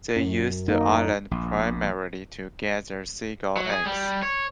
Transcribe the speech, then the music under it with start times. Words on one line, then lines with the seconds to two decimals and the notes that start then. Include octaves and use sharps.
They used the island primarily to gather seagull eggs.
0.16 F#2
0.68 A#3 D#4
1.31 A#1
3.57 F#3
3.71 G#4
3.86 G3
4.22 C#5